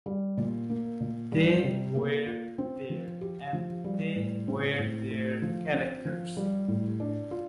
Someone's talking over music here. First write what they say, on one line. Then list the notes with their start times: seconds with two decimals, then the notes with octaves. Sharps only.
They were there, and they were their characters.
0.06 G3
0.37 A#2
0.69 A#3
1.00 A#2
1.32 G3
1.64 C3
1.95 A#3
2.26 F4
2.58 C4
2.90 F3
3.21 G4
3.53 F3
3.84 G3
4.16 A2
4.48 C4
4.79 A2
5.11 A3
5.42 F3
5.74 C4
6.05 F3
6.37 G3
6.68 A2
7.00 D4
7.31 F4